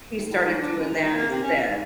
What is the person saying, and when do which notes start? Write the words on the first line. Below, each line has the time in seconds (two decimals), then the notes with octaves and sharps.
he started doing that instead.
0.16 D#2
0.30 A2
0.44 G#2
0.58 D4
0.77 F#2
0.89 G#2
1.01 D#4
1.15 A#3
1.30 C3
1.42 C#4
1.55 E3
1.68 G#2